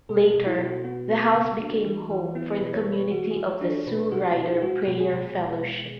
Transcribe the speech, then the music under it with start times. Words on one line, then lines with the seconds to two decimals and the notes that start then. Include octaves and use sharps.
Later the house became home for the Community of the Sue Ryder Prayer Fellowship.
0.09 B2 A4
0.27 A4
0.34 B2
0.46 E4
0.59 B2
0.65 F#4
0.84 B3 F#4
1.10 B3
1.35 C#3
1.60 D4
1.85 E3
2.11 E3
2.35 B3 E4
2.54 B4
2.61 B2
2.73 C#5
2.86 G#3
2.92 B4
3.11 E3 F#4
3.31 G#4
3.36 E3
3.49 C#5
3.61 D4
3.69 A4
3.87 B2 B4
4.12 B2 F#4
4.37 B2 E4
4.53 G#4
4.62 G#3 F#4
4.87 B2
5.00 G#4
5.13 B2
5.38 G#3
5.63 B2